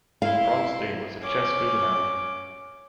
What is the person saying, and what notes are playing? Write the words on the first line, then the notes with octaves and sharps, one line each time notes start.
Bronstein was a chess visionary.
E4 F5 C6
C#4 D6